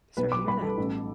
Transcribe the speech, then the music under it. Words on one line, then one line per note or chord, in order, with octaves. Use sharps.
Sorry to hear that.
B1 B4
D6
G3 B5
A4
A1